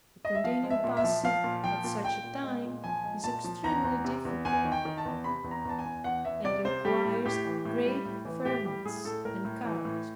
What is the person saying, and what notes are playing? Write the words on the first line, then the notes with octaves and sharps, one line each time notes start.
To continue passive at such a time is extremely difficult, and requires great firmness and courage.
D#5
E5
F3 F5
G#3
E5
A#2
E5
F3
F3 F5
A#2
F3 G5
A#2
A#2 G5
A#2
G#3
A#2
F3 G#5
G#3
A#2 A5
F3
E2 A#5
E2
C3
E2
E2 G#5
D#3
G5
D#3
A5
E2
C3 B5
E2
A#5
E2 A5
G#5
E2
E2 F#5
E2 E5
C3 D5
C3 C5
G3 G4
A2
A2 G4
E3
A2
G3
A2
E3
A2 G4
G3 G4
A2 G#4
A2 A4
A2 A#4
A2
E3
A2